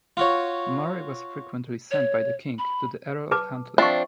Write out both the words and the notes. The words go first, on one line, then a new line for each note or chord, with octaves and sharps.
Murray was frequently sent by the king to the Earl of Huntly.
F4 F#4 C#5
C#5
B5
B4 A5 D6
F3 C4 D4 E5 C#6